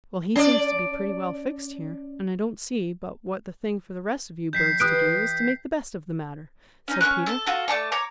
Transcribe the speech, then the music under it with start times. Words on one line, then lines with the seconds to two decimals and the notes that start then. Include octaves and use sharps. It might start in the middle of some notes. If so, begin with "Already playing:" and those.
"Well, he seems to be pretty well fixed here, and I don't see but what the thing for the rest of you birds to do is to make the best of the matter," said Peter.
0.36 C#4 D5
4.53 F2 G6 B6 C7
4.80 E3 G4 B4 D#6 F#6 D7
6.88 C#4 D#4
7.01 C#4 A#4 C#6 F#6
7.26 A4 A5
7.46 F4 F#4 A4
7.68 A3 D5 A5 C#6
7.92 C#5 A#5 D6